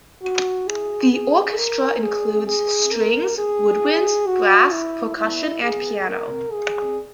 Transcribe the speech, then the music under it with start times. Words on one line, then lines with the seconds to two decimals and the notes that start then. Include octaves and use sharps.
The orchestra includes strings, woodwinds, brass, percussion and piano.
0.23 F#4
0.68 G#4
1.12 G#4
1.58 A#4
2.03 G#4
2.48 G#4
2.93 A#4
3.38 G#4
4.27 F#4
4.72 E4
5.18 E4
5.63 G#4
6.07 A#4
6.53 G#4